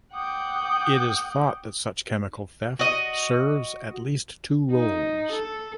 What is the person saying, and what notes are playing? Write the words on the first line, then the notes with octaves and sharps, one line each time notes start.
It is thought that such chemical theft serves at least two roles.
F#5 G5 D6 D#6 F#6 G6
F#4 D#5
D#4
A4